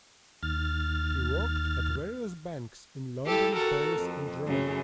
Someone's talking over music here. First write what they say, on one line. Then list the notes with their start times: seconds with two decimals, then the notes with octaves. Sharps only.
He worked at various banks in London, Paris, and Rome.
0.43 D#2 F6 A6
3.26 E4 G4 A4
3.56 F#4 A4 A#4
3.97 F2
4.47 F#2 C#3